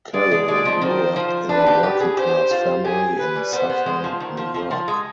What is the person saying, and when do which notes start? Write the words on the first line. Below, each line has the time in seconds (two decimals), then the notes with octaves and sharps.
Carole grew up in a working-class family in Suffern, New York.
0.14 G#3 D5
0.31 G#3
0.48 G#3 D5
0.65 F3
0.81 D#3 C5
1.16 F3
1.49 D4 B4
1.66 G4
1.83 G4
2.00 G#4
2.17 G4 C5
2.51 F4
2.85 G4 G#4
3.19 B4
3.36 G3
3.52 B3 C5
3.70 B3
3.86 G#3
4.04 F3
4.20 D#3
4.37 F3
4.54 F3
4.71 F3
4.88 G#3